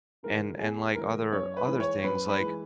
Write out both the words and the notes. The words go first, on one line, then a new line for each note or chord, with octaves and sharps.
And and, like, other other things, like
C#3 E3 G#3 A#4
E2 G#4
C#3 E3 G#3 A#4
F#2 C#5
B4
E3 G#3
C#5
F#2 B4
B4
E3 G#3